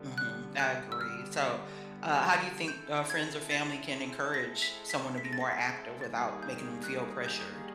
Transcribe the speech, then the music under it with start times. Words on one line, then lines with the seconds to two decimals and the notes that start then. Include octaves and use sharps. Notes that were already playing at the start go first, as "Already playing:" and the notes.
Mhm. I agree. So, uh, how do you think, uh, friends or family can encourage someone to be more active without making ‘em feel pressured?
Already playing: D3 G3 B3
0.18 F#6
0.60 F#6
0.92 E6
1.01 F6
2.67 G#3 C4 E4 A4 G6
3.10 G#6
3.51 A6
4.34 A#6
4.62 B6
4.90 B6
5.18 B6
5.25 A#6
5.33 A6
5.40 A#6
5.52 B6
5.59 A#6
6.01 D#3 G3 A#3 D#4 G#4 A6
6.43 G6
6.83 F#6
7.26 G6